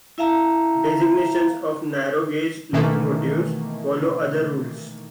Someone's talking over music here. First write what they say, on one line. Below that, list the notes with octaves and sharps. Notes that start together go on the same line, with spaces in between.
Designations of narrow gauge locomotives follow other rules.
E4 E5 F5 A5 A#5
B2 D#3 E3 A3 A#3